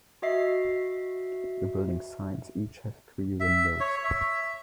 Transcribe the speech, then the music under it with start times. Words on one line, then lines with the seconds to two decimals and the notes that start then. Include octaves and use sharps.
The building sides each have three windows.
0.22 F#4 D#5 E5 C7
3.40 E5
3.80 C#5
4.04 E5